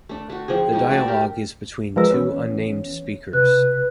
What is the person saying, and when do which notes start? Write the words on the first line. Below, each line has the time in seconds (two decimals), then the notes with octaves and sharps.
The dialogue is between two unnamed speakers.
0.09 A3 D4
0.30 A3 F#4
0.48 F3 C4 G#4
0.72 F3 G#3 D#4 F#4
0.90 A3 F#4 D5 E5
1.07 G4 A#4
1.96 F3 G#3 A#4 B4 E6
2.10 E3 B3 C#4 C#5
3.33 C3 B4 F#6